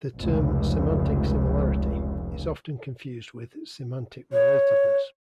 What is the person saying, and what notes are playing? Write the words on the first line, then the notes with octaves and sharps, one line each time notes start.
The term semantic similarity is often confused with semantic relatedness.
F1 C#2
C#5